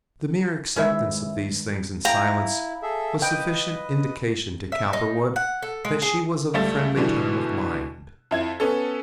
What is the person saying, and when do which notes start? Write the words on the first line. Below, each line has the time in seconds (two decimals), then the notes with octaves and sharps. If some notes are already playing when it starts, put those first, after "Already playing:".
The mere acceptance of these things in silence was sufficient indication to Cowperwood that she was of a friendly turn of mind.
0.76 D#3 G#3 C#4 E4 B4 E5
2.05 E4 F5 G5 A#5
2.82 G#4 A4 E5
3.22 B4 D#5 G5
4.72 E5
4.93 D#4
5.36 F#5
5.62 A4
5.85 G#3
6.02 G#4
6.54 C#2 G3 A3 A6
6.96 B2 D3 E3 G3
8.31 F2 E4 G#6
8.60 B3 C#4 A4